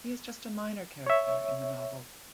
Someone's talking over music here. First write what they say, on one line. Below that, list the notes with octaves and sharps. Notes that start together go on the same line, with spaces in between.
He is just a minor character in the novel.
C#5 E5